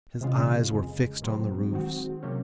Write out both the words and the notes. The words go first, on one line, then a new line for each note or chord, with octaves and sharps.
His eyes were fixed on the roofs.
C3 D#3 G#3 C#4 F4
F2 C#3 G#3
A#2 F#3 C4
D#3 G#3 C4 F#4
C3 F#3 A#3 C#4